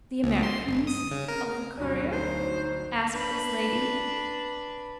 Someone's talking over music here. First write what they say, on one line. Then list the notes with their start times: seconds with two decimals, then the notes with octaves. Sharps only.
"The Americans--of the courier?" asked this lady.
0.23 C#2
0.43 C6
0.68 G1
0.87 D#6
1.11 C#3
1.28 A#4
1.78 D2 G2 B2 F#3 C#4
2.12 D#4 C5
3.11 D4 B4